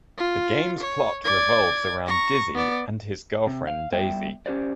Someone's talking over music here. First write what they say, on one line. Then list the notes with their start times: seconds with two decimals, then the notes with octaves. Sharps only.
The game's plot revolves around Dizzy and his girlfriend Daisy.
0.18 F4
0.80 C#5
1.25 D5 G#6
2.07 A#5 C#6
2.54 B3 D5
3.47 C3
3.67 F5
3.93 G3 B3 E5 G5
4.46 C#4 G4 C5 D5